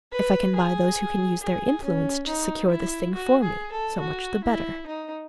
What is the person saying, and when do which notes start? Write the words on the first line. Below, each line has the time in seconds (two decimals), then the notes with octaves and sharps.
If I can buy those who can use their influence to secure this thing for me, so much the better.
0.12 B4
0.55 G#4
1.41 G#4
1.83 C#4
2.27 D#4
2.70 E4
3.14 F#4
3.42 G#4
3.72 A4
3.99 F#4
4.44 E4
4.86 D#4